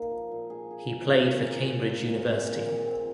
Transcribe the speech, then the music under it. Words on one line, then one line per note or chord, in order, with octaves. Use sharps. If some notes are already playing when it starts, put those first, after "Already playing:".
He played for Cambridge University.
Already playing: A#3 D#4
F3
A#2
G#4
G#4
F4
A#3
G#4
A#3
G#4
F4
A#2
C4
A#2
A#2
C4